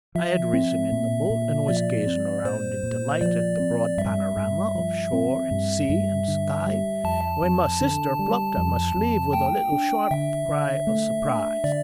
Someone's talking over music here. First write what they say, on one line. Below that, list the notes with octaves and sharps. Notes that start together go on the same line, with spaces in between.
I had risen in the boat, and was gazing round in delight at the broad panorama of shore and sea and sky, when my sister plucked at my sleeve with a little, sharp cry of surprise.
F3 E5
C4
A#2
A#2
F3 D5
C4
A#2 C5
A#2
F3 D5
C4
G2 E5
G2
F3
C4
G2
G2
D3
G3
F2 A5
F2
D3
G3
F2
F2
A3 G5
D4
D3 E5
D3
A3
D4
D3 D5